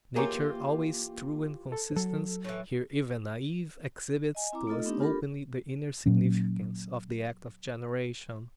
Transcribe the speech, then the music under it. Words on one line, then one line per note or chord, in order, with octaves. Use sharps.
Nature, always true and consistent, here even naive, exhibits to us openly the inner significance of the act of generation.
E3 A#3 F4 G4 G#4 A#4 C#5
A4
F#3 A4
A2 E3
D#5 G#5
C4 E4 A#5 D6
A3 D#4 F4 A4 D#5
A3 B3 C4 D4 D#4 G4
D4 F4 G4 A4 A#4 B5
A#2 F#3 C#4